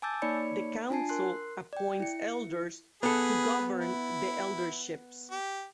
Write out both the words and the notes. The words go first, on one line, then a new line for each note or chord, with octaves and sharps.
The council appoints elders to govern the elderships.
G#5 A5 D6 E6 G6 A6
A#3 D#4 C#5 D5 B5 C#7
D4 F4 G#5 A5 C7
A#4 C6 F#6 C7
D5 G5
E4 C#7
B3 G#4 A4 B4
E4
G4